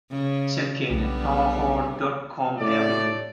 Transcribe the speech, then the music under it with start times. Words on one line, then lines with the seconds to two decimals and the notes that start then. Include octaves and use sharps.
Check in at Townhall dot com every day.
0.11 C#3
0.90 B1 D3 G3 B3
2.58 A2 D5